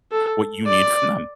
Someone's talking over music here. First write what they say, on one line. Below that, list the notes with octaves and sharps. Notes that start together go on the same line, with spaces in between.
what you need from them.
A4
D5